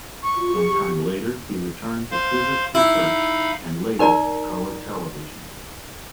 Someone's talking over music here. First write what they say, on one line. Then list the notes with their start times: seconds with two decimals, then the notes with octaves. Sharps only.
Some time later, he returned to physics research and later colour television.
0.23 C#6
0.36 F4
0.54 G#4
0.69 G4
2.11 C5 F5 C6
2.75 D#4 E4 F5 B5
3.99 D#4 A#4 D5 A#5